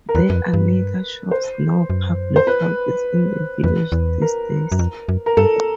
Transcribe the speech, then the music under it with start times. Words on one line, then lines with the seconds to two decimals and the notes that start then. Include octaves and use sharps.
There are neither shops nor public houses in the village these days.
0.09 A#4
0.15 E2 B4
0.30 F#2
0.35 F2
0.54 G2
1.31 C5
1.90 F#2
2.36 C5
2.47 B4
3.63 F2 B4
3.92 E2
4.22 A#4
4.72 F#2
4.79 F2
5.09 F#2
5.26 A#4
5.37 G2 A4